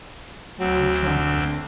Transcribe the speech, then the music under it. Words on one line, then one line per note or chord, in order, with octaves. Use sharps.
"I'll try, Colonel!"
D2 F#3 C4
D3